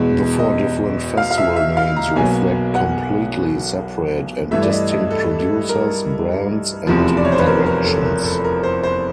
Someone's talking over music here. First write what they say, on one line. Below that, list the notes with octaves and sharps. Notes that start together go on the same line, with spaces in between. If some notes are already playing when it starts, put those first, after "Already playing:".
The four different festival names reflect completely separate and distinct producers, brands and directions.
Already playing: E2 B2 G#3
D#5
F5
F5
E5
E5
F5
A#5
B1 B2 F#3 A#3 G#5
F#5
G2 E3 A3 E5
D5
D#5
D#5
A4
A4
A#4
F1 E2 C3 F3
D5
C#5
C5
B4
A#4
A#4
A4
A#4
A4
A#4
C5
C5